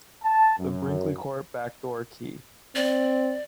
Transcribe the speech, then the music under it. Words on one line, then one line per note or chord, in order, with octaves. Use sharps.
The Brinkley Court back-door key.
A5
F#2
C4 D5